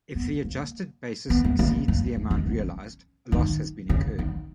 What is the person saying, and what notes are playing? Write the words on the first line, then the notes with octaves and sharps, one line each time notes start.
If the adjusted basis exceeds the amount realized, a loss has been incurred.
B3
A#3
B3
B3
A#3
A#3
G#3
G#3
B3
C#4
D#3
C#3
D#3